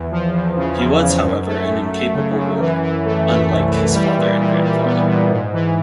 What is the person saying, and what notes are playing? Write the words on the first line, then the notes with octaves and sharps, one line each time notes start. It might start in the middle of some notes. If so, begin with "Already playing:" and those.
He was, however, an incapable ruler; unlike his father and grandfather.
Already playing: E2
F3
E2
C#3
E2
C#3
F#2
A3
F#2
A3
C#3
F#2
E3
E3
A3
A3
C2
E3
G3
A#2
A#2
G3
B3
A#2
G#2
E3